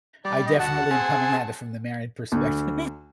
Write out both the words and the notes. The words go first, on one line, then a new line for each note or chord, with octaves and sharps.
I definitely am coming at it from the married perspective,
G3 D5
D#5
D2 F#4 F#5 A5
C4 G#4 G#5
D2